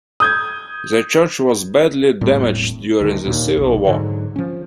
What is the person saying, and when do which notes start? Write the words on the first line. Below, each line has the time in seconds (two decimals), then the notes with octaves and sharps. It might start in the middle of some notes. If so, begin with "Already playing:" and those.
The church was badly damaged during the Civil War.
0.20 D#6 G6 G#6
2.21 E1 A2 G3 C4
3.01 D2 D#3
3.25 D#2 A#2
3.57 F1 B1
3.85 G#2 D3 F#3
4.36 F3 C#4